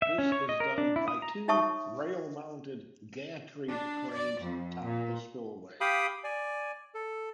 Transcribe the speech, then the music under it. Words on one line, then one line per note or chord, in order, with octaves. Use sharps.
This is done by two rail-mounted gantry cranes atop the spillway.
E5
C#4
C#5
D#5
A#4
D4
E4
D#6
A#5
D#4 C#5 E5 A5 C#6 D#6
D4
D5
F2
A#2
G4 F5 G5 B5 D#6
D5 G#5
A4